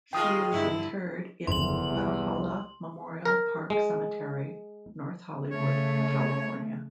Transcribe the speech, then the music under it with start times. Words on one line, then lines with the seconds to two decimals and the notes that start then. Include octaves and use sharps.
She is interred in Valhalla Memorial Park Cemetery, North Hollywood, California.
0.13 D#3 G#3 F4 G5 D#6
0.51 G2 D3 E4
1.47 F#1 E2 D3 F3 C6 F#7
1.89 C2
3.25 A#4
3.70 G#3
5.52 C#3 A3 C#5